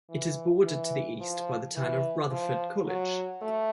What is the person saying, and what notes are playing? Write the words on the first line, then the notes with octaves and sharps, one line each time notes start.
It is bordered to the east by the town of Rutherford College.
E3
E3
F3
E3
F3
F#3
A3